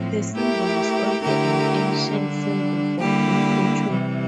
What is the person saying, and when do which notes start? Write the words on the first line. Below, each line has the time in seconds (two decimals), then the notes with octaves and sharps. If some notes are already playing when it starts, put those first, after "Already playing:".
The symbol is also an ancient symbol for good fortune.
Already playing: A2 F3 C4
0.32 A3 E4 G4 A#4
1.22 D3 A3 E4 G4 A#4
2.10 D3 G3 D4
2.98 D3 G3 A#3 E4 G4
3.87 C3 E3 G3